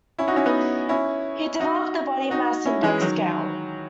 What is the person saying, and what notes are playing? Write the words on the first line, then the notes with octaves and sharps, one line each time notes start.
He developed the body mass index scale.
C#4 E4
D#4 F#4
C#4 E4
B3 D#4
C#4 E4
D#4 F#4
D#4 F#4
C#4 E4
E3 G#3
D#3 F#3